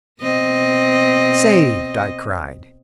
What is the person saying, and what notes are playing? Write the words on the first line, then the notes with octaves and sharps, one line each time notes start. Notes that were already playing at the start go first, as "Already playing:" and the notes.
"Saved!" I cried.
B2 C4 D#5